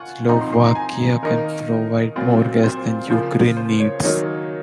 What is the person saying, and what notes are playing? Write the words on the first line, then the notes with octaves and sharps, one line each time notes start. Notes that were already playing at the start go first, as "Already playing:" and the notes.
Slovakia can provide more gas than Ukraine needs.
Already playing: F4 F#5 G#5 C#6
F3 C4 D#4 A#5
C6
C6
A#5
G#5
D#3 A#3 D#4 A#4
A#2 F#3 C4 F4
C5
C#3 F3 A#3 F4 C5
C5
C#5
D#3 F#3 A#3 D#4 C#5